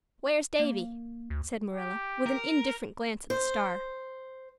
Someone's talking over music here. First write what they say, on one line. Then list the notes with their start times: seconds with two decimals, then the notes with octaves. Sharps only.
"Where's Davy?" said Marilla, with an indifferent glance at the star.
0.59 A#3
1.30 D2
1.73 G4
2.26 A#4
3.30 C5